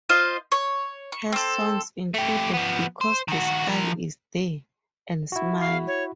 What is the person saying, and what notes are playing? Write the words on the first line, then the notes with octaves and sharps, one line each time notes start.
Her songs included "Because the Sky is There" and "Smile".
F4 C5 D#5 F5
C#5
C#6
C4 A4
A3 G4
F3 B3
C5
D#3 F#4
F3 A#4
E4 F#4
F5
C#5